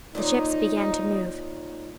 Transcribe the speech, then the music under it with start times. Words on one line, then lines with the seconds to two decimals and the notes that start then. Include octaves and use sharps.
The ships began to move.
0.15 D#2 A#2 D#4